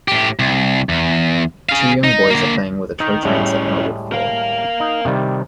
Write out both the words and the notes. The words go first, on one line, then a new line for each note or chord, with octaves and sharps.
Two young boys are playing with a toy train set on a wood floor.
A2 G4
C2
E2
G#4 F5
D#4
D3 A#3
D#3 D#4
A2 G3 G#3 C#4 E4
A#4 F5
D#4
C3 D#3 G3